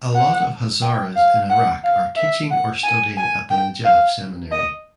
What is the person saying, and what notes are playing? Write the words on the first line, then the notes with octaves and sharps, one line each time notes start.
A lot of Hazaras in Iraq are teaching or studying at the Najaf Seminary.
F#5
G5
F5
F#5
F5
E5
F#5
G#5
G#5
G5
F5
D#5